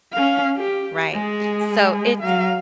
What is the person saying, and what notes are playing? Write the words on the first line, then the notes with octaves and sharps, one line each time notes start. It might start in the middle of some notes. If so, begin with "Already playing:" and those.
Right. So it's
C#4 F5
G4
G#3 G#4
F#3 F5